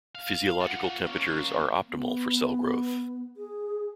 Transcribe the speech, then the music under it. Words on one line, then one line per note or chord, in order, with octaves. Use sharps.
Physiological temperatures are optimal for cell growth.
F5
F4 F#5
A#3 C#4
B3
G#4